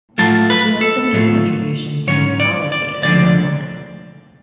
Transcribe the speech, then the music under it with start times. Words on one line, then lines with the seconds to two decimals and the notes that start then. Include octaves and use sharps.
She also made a contribution to musicology as a young woman.
0.18 A2 F#3 A3 F4 A5
0.50 B4
0.81 A4
1.13 A2 F#3 A3 F4
2.07 G#2 F#3 C#4 C#5
2.40 D5
2.72 D5
3.03 D2 D3 F3 G#3 D4 D5